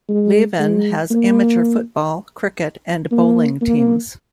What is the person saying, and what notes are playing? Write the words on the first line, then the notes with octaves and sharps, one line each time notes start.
Leven has amateur football, cricket and bowling teams.
G#3
G#3
A#3
A#3
A#3